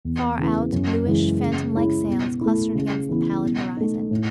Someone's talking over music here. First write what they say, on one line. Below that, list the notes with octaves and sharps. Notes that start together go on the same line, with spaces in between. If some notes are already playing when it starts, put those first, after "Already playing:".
Far out, bluish, phantom-like sails clustered against the pallid horizon.
E2
C#3 E3 B3
F#2
C#3 E3 G#3
C#3
G#3 C#4 E4
B2
A3 E4
C#3
E3 B3 E4
B2
A3 D#4
A2